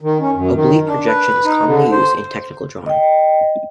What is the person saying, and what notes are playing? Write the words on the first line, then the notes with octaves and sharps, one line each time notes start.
Oblique projection is commonly used in technical drawing.
D#3
C#4
F#2
D#3
D4
B4
D#4
D3
C5
D#5 G5